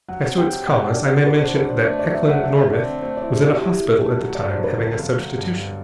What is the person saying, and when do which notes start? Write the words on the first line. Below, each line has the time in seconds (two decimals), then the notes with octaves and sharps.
As to its cause, I may mention that Eklan Norbith was in a hospital at the time, having a substitution.
0.08 F#3 F#5
0.28 C4
0.38 G5
0.48 C3
0.68 B2 F#5
0.87 D4
0.97 D5
1.07 F#4
1.26 D3 B4
1.41 D4 C5
1.55 B4
1.65 D4
1.70 C5
1.85 A3 D5
1.99 F#3 D5
2.14 E5
2.25 A3 F#5
2.44 D3 E5
2.63 D3
2.73 D5
2.83 C4
3.02 A3 C5
3.17 D5
3.22 E4
3.32 F#4
3.42 C3 G4
3.61 E4 G4
3.81 E4
4.00 A3
4.20 F#3 A4
4.35 G2 D5
4.49 C5
4.59 F#3
4.64 B4
4.79 G1 A4
4.98 G1
5.18 F#3
5.38 G2
5.57 G2